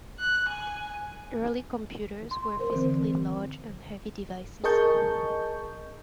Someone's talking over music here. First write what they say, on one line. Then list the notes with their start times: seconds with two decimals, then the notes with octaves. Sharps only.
Early computers were physically large and heavy devices.
0.19 F#6
0.49 G#5
2.31 C6
2.59 A#4 C5
2.73 D3 E3 C4
4.64 G#4 A#4 D#5 A5 C#6 G6